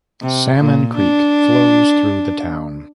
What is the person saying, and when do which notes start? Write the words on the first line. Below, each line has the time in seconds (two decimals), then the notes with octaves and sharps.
Salmon Creek flows through the town.
0.22 C3
0.57 A#2
0.97 D4